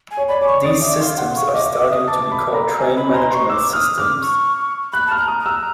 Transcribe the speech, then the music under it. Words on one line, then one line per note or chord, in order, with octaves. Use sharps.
These systems are starting to be called train management systems.
G#5
C#5
D5 B5
C#5 D6
C#6
D5 D#6
E5 D6
F5 C6
F#5
C6
F5 C#6
D#5 D6
E5
D6
E5
D#6
A5 D6
B5
A#5
G#5
B5
A#5 C6
C6 C#6
D6 E6
D#6 F6
D6 F6
C#6
B5 F#6
A5 F6
A#5
D#6
A#5
E6